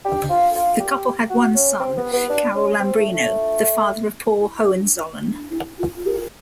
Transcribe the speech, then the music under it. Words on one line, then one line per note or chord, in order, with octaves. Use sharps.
The couple had one son, Carol Lambrino, the father of Paul Hohenzollern.
G4
F4
F4
G4
F#4
C#4
C4
B3
B3
D4
C#4
C4
A3
A3